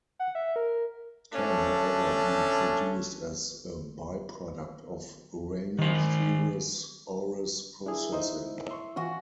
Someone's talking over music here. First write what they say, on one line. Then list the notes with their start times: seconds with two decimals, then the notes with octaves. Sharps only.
It can however be produced as a by-product of uraniferous ores processing.
0.19 F#5
0.35 E5
0.56 A#4
1.33 A3 C#4 D4
5.79 D#3 C5
7.86 D4 E4 G#4
8.12 D#4 C5 D#5
8.69 E5 C6 C#6
8.96 E3 F4 F#4 F#5 G#5